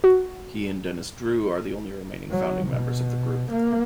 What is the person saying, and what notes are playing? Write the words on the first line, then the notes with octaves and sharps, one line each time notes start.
He and Dennis Drew are the only remaining founding members of the group.
F#4
F#3
B2
A#3